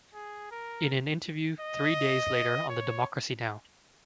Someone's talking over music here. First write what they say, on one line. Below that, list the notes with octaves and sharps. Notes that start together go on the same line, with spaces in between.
In an interview three days later on the Democracy Now!
G#4
A#4
D#5
C#5